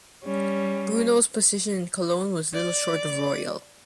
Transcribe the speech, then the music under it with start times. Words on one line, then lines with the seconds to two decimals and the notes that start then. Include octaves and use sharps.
Bruno's position in Cologne was little short of royal.
0.23 G3 C#4
2.54 D5